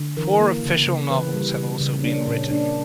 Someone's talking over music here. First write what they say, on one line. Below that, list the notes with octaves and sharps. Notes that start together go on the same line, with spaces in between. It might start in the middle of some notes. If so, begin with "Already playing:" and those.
Four official novels have also been written.
Already playing: D3
E3 A#4
A#3
C#3
C#3
E3 B4
G3
C#3
C#3
C#4
A#3 D4
A#2 C#4
A#3 D4